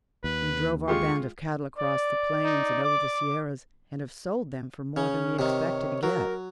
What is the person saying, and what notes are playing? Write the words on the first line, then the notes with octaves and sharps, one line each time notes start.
We drove our band of cattle across the plains and over the Sierras, and have sold them for more than we expected to get.
D#2 B4
G#3 F4 G4 C#6
D5
D#4
D6
C#3 C#4
C3 D#3 C#5
F#3 A#4